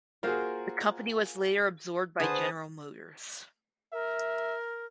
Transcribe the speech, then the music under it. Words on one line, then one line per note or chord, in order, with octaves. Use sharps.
The company was later absorbed by General Motors.
A#3 F4 F#4 G#4 A#4 C5
D3 G#4 B4 C5 A5 D#6
A#4 E5